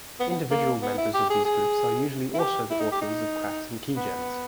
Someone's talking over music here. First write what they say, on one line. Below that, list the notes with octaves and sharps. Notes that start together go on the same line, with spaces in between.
Individual members of these groups are usually also the authors of cracks and keygens.
B3
B3
A#3
B3
E4
G4
G#4
G#4
E4
G4
E4
D#4
G4
D#4
B3